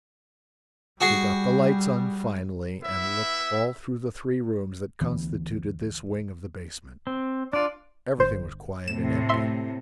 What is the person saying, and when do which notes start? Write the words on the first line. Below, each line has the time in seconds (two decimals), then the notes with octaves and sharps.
We got the lights on finally and looked all through the three rooms that constituted this wing of the basement. Everything was quiet and empty.
1.01 G3 F#4 G#4
2.82 B3 E4 E5
5.01 D2 E3 B3
7.07 C4
7.53 D4 F4 D5
8.17 G1 C5
8.88 A2 C3 E7
9.29 E5 C6